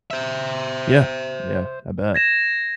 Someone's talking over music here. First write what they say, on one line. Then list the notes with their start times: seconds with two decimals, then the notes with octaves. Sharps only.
Yeah. Yeah. I bet.
0.11 C5 E5
2.15 G#6 A#6 E7